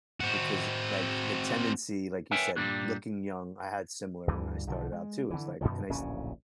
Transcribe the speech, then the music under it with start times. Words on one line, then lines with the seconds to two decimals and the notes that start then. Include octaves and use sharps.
Because like the tendency, like you said, looking young, I had similar when I started out too is like, and I s
0.21 C4 F#4
2.31 A#4 B4 C#5 E5 G5 G#5
2.56 G2 A#2 F3 G3 C#4 D4
4.27 D2 G2 D3 E3
4.67 B1 D3 D#3 F3
4.92 G#3
5.30 D3 E3
5.61 F#2 B2 D#3 F3
5.89 D1 A#1 C#3 C#4